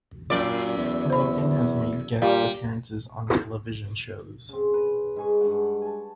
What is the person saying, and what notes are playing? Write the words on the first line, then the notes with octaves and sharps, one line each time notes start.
Logan has made guest appearances on television shows.
F#2 A#2 D5
E2
C5 B5
A#2 G3 G4 D5 F5
C#3 C4
B4
G#2 G#5 C#6
G2 G#3 F#5
G#5 A5